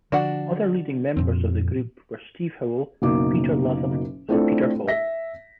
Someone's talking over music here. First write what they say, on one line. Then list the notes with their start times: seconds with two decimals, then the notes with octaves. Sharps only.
Other leading members of the group were Steve Howell, Peter Latham and Peter Hall.
0.12 D3 F3 D4 F#4 F#5
1.16 F2 A#2 F3 C4
3.02 F#1 B2 A#3 D#4 D6
4.29 A3 C4 D4 E4 F4 A4
4.87 E5 A#6 B6